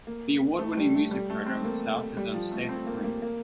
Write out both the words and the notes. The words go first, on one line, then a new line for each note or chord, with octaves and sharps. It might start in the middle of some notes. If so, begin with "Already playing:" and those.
The award-winning music program at South has earned state acclaim.
A#3
A3
G3
A3
G3
A3
C4
A#3
G3
F3
A3
C4
A#3
A#3
A#3